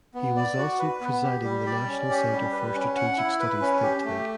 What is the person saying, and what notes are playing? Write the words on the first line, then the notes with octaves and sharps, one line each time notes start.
He was also presiding the National Centre for Strategic Studies think tank.
B3
D5
F#4
B4
B3
G4
G3
D5
C#4
G4
G3
B4
C#4
F#5
E4
B4
C#4
G4
A3